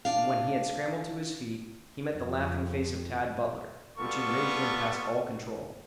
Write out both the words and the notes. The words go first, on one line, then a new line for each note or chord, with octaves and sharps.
And when he had scrambled to his feet, he met the laughing face of Tad Butler, which enraged him past all control.
D4 F5
F2
G3 B3 F4 A4 C#6